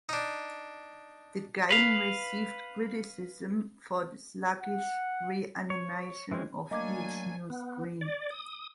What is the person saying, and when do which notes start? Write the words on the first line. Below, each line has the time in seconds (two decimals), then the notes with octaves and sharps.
The game received criticism for the sluggish reanimation of each new screen.
0.09 D4 D#4
1.71 B4 F5
4.61 F#5
5.70 C#5
6.31 E3 G#3 C4 C#4
6.71 F#3 A3 A#3 D4 D#5 G#5 D6 G#6
7.50 B3
8.01 D5
8.31 D#6